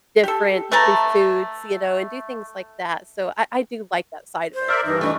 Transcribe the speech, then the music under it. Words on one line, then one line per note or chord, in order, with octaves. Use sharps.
different, eat new foods, you know, and do things like that. So I I do like that side of it.
G4 A4
A3 B4 A5 A#5
C5
A#4 D5 E5 E6 F6
G2 E3 D#4
A3 D4 D#5 C#6